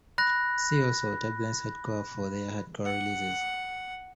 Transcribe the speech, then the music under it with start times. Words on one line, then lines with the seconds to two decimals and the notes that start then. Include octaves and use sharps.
See also: Turbulence Hardcore for their Hardcore releases.
0.18 B5 F#6 A#6
2.85 F#5